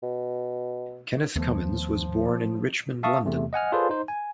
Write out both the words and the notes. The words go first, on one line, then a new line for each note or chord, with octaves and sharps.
Kenneth Cummins was born in Richmond, London.
B2
D#2 F3 A3 B3
E5 F5 A5 C#6 D#6
E2 C3 A3
D#5 F#5 G#5 F6
F4 G#4 A4 B4 C5 D5
D#4 C5
G#5